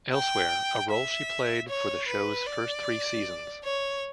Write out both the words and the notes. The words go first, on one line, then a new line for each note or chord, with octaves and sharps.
Elsewhere, a role she played for the show's first three seasons.
G5
E5
C#5
B4
D5
C#5